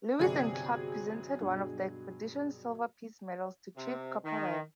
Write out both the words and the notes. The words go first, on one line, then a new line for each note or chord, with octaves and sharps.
Lewis and Clark presented one of the expedition's silver peace medals to Chief Kepowhan.
G1 C3 F#3 G#4 D5
G2 B2
C3
D#3